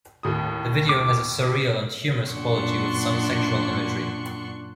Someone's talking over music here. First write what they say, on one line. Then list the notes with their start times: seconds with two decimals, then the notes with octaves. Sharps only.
The video has a surreal and humorous quality with some sexual imagery.
0.23 D#2 A2 D#6
0.89 D6
2.30 F#2 A#2 D4 F#5 C6 C#6